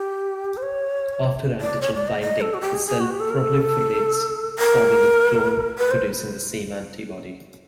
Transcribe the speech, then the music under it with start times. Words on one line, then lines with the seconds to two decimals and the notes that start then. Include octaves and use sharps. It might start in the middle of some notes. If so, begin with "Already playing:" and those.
After antigen binding the cell proliferates, forming a clone producing the same antibody.
Already playing: G4
0.57 C5
0.62 C#5
1.61 D5
1.81 C#5
1.94 D5
2.08 D#5
2.21 D#5
2.41 A4
2.54 F#4
2.61 G4
2.74 G#4
2.87 G#4
3.00 F#4
3.11 G4
3.20 A4
3.30 A#4
3.40 A4
4.59 A#4
5.78 B4
5.91 C5